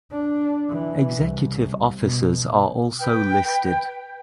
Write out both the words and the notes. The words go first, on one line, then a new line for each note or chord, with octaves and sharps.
Executive officers are also listed.
D4
E3
C2
B2
B4 G5